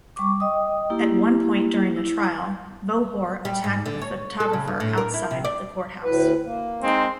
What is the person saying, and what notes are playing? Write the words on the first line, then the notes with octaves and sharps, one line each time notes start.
At one point during the trial, Vohor attacked a photographer outside the court house.
G3 C#6 D6
D#5 G5 D#6
A#3 E4 G4
E4
G3
G#2
D3
C#5
A4
C#3
G2
A2
A#4
E4
C3
D5
D2 A2 B4
A#3
G#3 C4 D#4